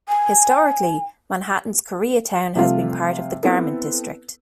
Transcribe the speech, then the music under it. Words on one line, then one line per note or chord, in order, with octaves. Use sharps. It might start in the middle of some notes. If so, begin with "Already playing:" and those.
Historically, Manhattan's Koreatown has been part of the Garment District.
G#5
C3 F3 G3 A3 C4 F4
B3 C4 E4 A4 B4